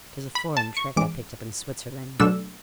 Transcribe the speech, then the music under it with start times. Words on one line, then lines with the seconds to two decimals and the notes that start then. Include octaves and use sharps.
'Tis a foreign trick I picked up in Switzerland.
0.35 B5
0.57 A5
0.77 C#6
0.96 E3 G#3 C#4 D6
2.20 B2 F#3 A3 D4 E6